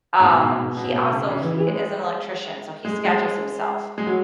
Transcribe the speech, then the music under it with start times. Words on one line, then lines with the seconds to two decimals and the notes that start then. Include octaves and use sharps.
um, he also he is an electrician, so he schedules himself.
0.20 G#2
0.25 B2
0.41 G#2
0.51 B2
0.77 B2
0.94 B2
1.11 C#3
1.29 C#3
1.41 E3
1.55 E3
1.68 G#3
2.85 G#3
3.05 G#3
3.98 G#3
4.07 F#3